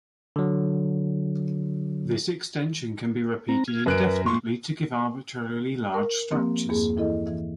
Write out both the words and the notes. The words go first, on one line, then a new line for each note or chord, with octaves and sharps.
This extension can be repeated indefinitely, to give arbitrarily large structures.
D3 F#3
C4 A#5
F6 G#6
F#2 A#4 B4 F#6 D7
A#2 A3 C6 C#6
A#4
F3 A#3 C4 G4
E2 G2 A#3 G#4
E3 E4 A4 D#5
E3